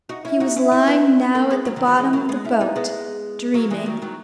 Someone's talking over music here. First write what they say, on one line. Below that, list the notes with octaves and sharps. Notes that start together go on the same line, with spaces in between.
He was lying now at the bottom of the boat, dreaming.
D#4 F#4
C#4 E4
D#4 F#4
C#4 E4
C#4 E4
B3 D#4
A#3 C#4
G#3 B3
F#3 A#3
D#3 F#3
D#3 F#3
E3 G#3
F#3 A#3
G#3 B3
C#4 E4
B3 D#4
G#3 B3
F#3 A#3
E3 G#3
D#3 F#3
D#3 F#3